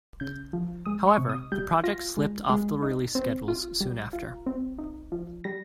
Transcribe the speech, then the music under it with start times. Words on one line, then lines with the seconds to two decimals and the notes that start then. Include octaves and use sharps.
However, the project slipped off the release schedules soon after.
0.20 C#3 G6
0.53 F3
0.85 G#3 D#6
1.07 C#6
1.18 C3
1.29 D#6
1.52 G3 G6
1.84 F4 A#6
2.17 G#3
2.49 G#3
2.83 D#4
3.15 C4
3.48 F4
3.81 G3
4.13 F4
4.46 C4
4.79 D#4
5.12 F3
5.44 G3 A#6